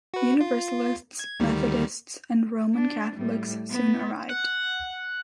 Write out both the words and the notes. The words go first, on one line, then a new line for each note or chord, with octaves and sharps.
Universalists, Methodists and Roman Catholics soon arrived.
F#4 B4
F4
G#6
D2 D#3 G3
D4
A2 G3
B3
F#5